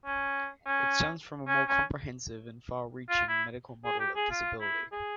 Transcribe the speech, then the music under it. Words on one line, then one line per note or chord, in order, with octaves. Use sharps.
It stems from a more comprehensive and far-reaching medical model of disability.
C#4
C#4
C#4
C#4
F4
E4
G#4
G4
G#4
F4
E4
G#4